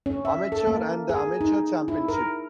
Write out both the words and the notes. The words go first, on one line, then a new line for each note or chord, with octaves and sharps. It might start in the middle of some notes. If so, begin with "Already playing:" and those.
Amateur, and The Amateur Championship.
C#4
E5
A4
A#3
G#4
D#4
E4
A#4